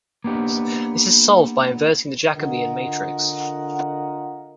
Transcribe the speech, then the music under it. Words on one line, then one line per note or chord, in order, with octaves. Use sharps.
This is solved by inverting the Jacobian matrix.
A#3 B3 D4 G4
D3 F4 A#4 D#5 F#5